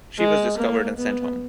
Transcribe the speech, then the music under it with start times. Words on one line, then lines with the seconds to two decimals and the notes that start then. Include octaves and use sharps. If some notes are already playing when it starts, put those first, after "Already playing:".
She was discovered and sent home.
0.18 G#3
0.57 A#3
0.97 B3